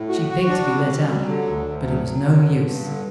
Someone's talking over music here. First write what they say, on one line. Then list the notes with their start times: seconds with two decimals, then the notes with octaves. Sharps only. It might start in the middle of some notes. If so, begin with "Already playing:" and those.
She begged to be let out, but it was no use.
Already playing: A2
0.09 F#4
0.29 F#4
0.48 D4
0.67 G3
0.87 G3
1.07 F#3
1.27 D3
1.46 D2
1.66 D2
1.86 F#3
2.06 F#3
2.25 D3
2.45 G2
2.64 G2
2.85 D3